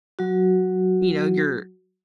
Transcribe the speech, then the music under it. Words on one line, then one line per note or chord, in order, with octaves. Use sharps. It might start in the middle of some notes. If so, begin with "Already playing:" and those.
”you know, you're
F#3 F#4